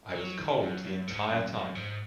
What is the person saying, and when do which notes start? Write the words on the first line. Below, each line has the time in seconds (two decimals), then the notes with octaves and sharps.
I was cold the entire time.
0.15 F#3
0.38 D#3
0.61 F#2
0.84 F#2
1.08 G#2
1.30 F#2
1.53 F#2
1.75 G#2